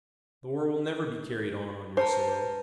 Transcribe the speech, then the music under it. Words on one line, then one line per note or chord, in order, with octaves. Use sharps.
The war will never be carried on on your soil.
B4 C5 A5 A#5